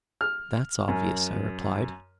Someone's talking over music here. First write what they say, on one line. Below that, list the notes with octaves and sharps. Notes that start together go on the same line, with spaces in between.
"That's obvious," I replied.
F6
F#2